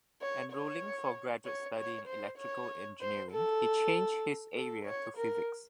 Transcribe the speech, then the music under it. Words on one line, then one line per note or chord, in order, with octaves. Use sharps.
Enrolling for graduate study in electrical engineering, he changed his area to physics.
C#5
C#5
C#5
C#5
C5
C#5
C5
A4
A4
C#5
A#4